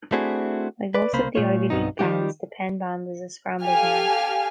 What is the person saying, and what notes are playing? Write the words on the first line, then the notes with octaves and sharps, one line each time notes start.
Like most of the Ivy League Bands, the Penn Band is a scramble band.
A3 C4 D4 E4 F#4 G#4
B4 D5
C2 C#3 A#3 C5 B5
A#2 A3 F4 C#5
B1 G2 C3 B3 C4 D#4
D#3 F3 G3 A3 D#4 G4
G4 A4 F5 G#5 F6